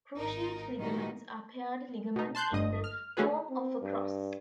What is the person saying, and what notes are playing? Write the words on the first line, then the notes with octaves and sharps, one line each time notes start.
Cruciate ligaments are paired ligaments in the form of a cross.
G#1 D#4 A#4
A#2 D#3 E3 G3 D#4 F#4
B2 D#4
A5 C6 F#6 G6
G1 G2 D#5 D#6
F6
D3 A3 C#4 F#4 G#4 B4
C4
G2